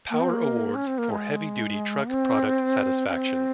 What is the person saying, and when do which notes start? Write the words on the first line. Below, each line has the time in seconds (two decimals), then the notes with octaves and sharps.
Power Awards for Heavy Duty Truck Product Satisfaction.
0.10 A#3
0.20 C4
0.29 A#3
0.75 C#4
0.87 C4
0.98 A#3
1.10 G#3
2.09 C4
3.08 C#4
3.13 C4